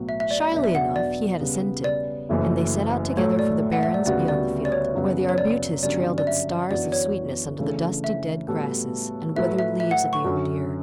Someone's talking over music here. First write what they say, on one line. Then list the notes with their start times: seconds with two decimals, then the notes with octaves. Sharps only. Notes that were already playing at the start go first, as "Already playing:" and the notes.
Shyly enough he had assented, and they set out together for the barrens beyond the field, where the arbutus trailed its stars of sweetness under the dusty dead grasses and withered leaves of the old year.
Already playing: B1 A2 F#3 B3 F#4
0.09 E5
0.20 E5
0.31 D5
0.52 E2 B2 F#3 B3 D4 E5
0.64 E5
0.75 F#5
0.96 D5
1.40 C#3 G3 B3
1.84 D5
2.29 F#1 F#2 E3 A3 E4
3.17 A2 F#3 A3 C#5
3.39 D5
3.72 F#5
3.83 E5
3.94 D5
4.06 D2 C#3 G3 B3 F#4 D5
4.28 D5
4.65 D5
4.72 C#5
4.94 F#2 C#3 F#3 B3
5.29 C#5
5.38 D5
5.82 G1 G2 D3 F#3 C#4 D5
6.18 D5
6.27 E5
6.70 F#2 E3 B3 D4 F#4 D5
6.92 C#5
7.59 C#3 E3 A3 D4 A4
8.04 E5
8.48 A2 G3 B3 F#4 A4
9.36 A2 F#3 A3 E4 B4 E5
9.59 E5
9.80 E5
9.91 F#5
10.13 C#6
10.24 F#2 D3 F#3 C#4